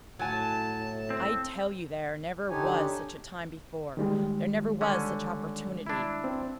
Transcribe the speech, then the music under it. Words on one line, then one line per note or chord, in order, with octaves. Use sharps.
I tell you there never was such a time before; there never was such opportunity.
A2 F#3 G#5 A5
C4
D3 D4 D#4 G4 C#5 G#5
D#3 G3 G#3
D3 C#4
D4 E4
C4